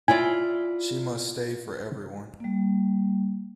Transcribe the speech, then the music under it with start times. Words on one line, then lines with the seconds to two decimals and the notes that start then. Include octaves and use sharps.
She must stay for everyone.
0.08 E4 F4 D5 G#5
2.40 G3 A#3